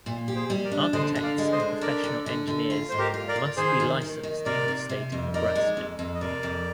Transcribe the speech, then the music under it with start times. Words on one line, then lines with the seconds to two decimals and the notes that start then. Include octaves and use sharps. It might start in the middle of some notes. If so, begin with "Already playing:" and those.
Architects and professional engineers must be licensed in the state of Nebraska.
0.06 A#2
0.28 G4
0.35 G#4 C5
0.50 G3
0.64 A#4 D5
0.72 D4
0.93 D3 C5 D#5
1.15 D3
1.22 D5 F5
1.38 G#3
1.52 C5 D#5
1.60 D4
1.81 D3 A#4 D5
2.04 D3
2.26 D3
2.47 D3
2.70 F4
2.89 G#2 C5
2.98 G4 A#4
3.14 F4
3.28 A#4 D5
3.36 F4
3.57 D#3 G#4 C5
3.80 D#3
4.02 D#3
4.23 D#3
4.45 C3 A#4 D5
4.68 C3
4.89 C3
5.12 F2
5.33 D#4 A#4 D5
5.55 G#3
5.77 F2
5.99 F2
6.14 D#5
6.21 C3 A#4 D5
6.43 F2